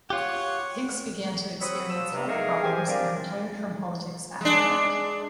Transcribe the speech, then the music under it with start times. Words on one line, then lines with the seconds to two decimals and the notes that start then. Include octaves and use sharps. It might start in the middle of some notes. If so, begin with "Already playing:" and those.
Hicks began to experience health problems and retired from politics after that.
0.10 F4 G4 C#5 F#5
1.60 C4 F#4 C#5 B5 D#6 E6
1.89 F3 E6
2.12 G2 C3
2.27 G#3 A3 D#4 G#4 A#4 F5
2.63 G4 C5 G#5
2.87 C4 D4 F4 G4 A#4 D5
4.41 G#3 D4